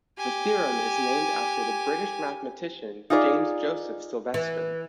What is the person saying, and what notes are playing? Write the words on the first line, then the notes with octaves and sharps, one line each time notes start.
The theorem is named after the British mathematician James Joseph Sylvester.
G4 G#5
D#4 F4 G#4 C#5 D5
E3